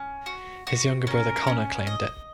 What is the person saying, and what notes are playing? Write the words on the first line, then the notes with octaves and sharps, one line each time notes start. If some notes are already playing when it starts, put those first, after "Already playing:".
His younger brother, Conor, claimed it.
Already playing: C#4
F#4
F#4
C#4 A#4
C#4
D#5